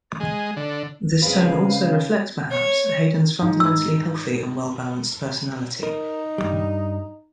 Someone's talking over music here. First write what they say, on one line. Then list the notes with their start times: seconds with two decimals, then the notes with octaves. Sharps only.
This tone also reflects, perhaps, Haydn's fundamentally healthy and well-balanced personality.
0.20 G#3
0.57 D3
1.22 C#3 G#3 C4 B4 F5
2.51 C#5
3.42 G#2
3.60 E6
5.83 D#4 A#4
6.38 G2 G3